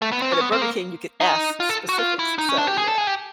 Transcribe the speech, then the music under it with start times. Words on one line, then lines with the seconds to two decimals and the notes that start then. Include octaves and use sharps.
But at Burger King, you could ask specifics, so yeah.
0.02 A3
0.12 B3
0.22 C4
0.32 C#4
0.41 B3
0.52 C4
0.62 A#3
1.21 D#4
1.60 F4
1.69 A4
1.89 F#4
1.99 F4
2.19 E4
2.38 D#4
2.49 C#4
2.58 D4
2.67 G4
2.77 G#4
2.88 A4
2.98 G#4
3.07 G4